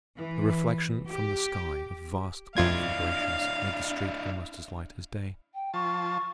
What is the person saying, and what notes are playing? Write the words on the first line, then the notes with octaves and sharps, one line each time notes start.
The reflection from the sky of vast conflagrations made the street almost as light as day.
E3
G4
F2 D4 E4 F4 F5 G#6
G5
F3 A5 C#6